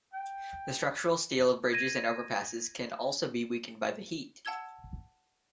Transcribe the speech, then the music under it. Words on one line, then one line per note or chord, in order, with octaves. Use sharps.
The structural steel of bridges and overpasses can also be weakened by the heat.
G5
G#6 A#6 D#7
F#5 A5 E6 G#6 G7